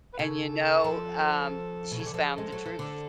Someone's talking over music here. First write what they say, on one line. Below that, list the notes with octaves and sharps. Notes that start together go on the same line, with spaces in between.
And, you know, um, she's found the truth.
B4
C#3 A4
F3
B2
C#3
D3
F3 A4
G#4
G#3 A4
F#3
F3
D3